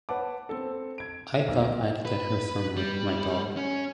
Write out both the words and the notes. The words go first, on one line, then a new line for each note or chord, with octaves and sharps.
I thought I'd get her some with my dollar.
B4 C#5 F#5 A5 D6
C4 A4
G#6 D7
B1
B4
G3
C#4